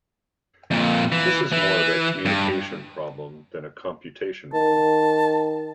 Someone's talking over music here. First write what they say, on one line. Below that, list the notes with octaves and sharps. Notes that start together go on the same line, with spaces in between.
This is more of a communication problem than a computation one.
F2 A#2
E3
E3
G2
D#3 A5